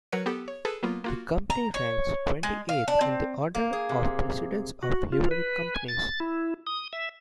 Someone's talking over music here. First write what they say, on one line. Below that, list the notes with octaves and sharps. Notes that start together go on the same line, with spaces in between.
The Company ranks twenty-eighth in the order of precedence of Livery Companies.
F#3 F#4 A#4 B4 C#5 C#7
B3 G4 A4
C#5
G#4 A4 B4
F#3 A#3 B3 F4
A#3 F4 F#4
A#5
C#5
G#3
F5
D4
C4
A#3
G#4
C3
F#4
F4
B4
G#5
A6
E4
D#6
E5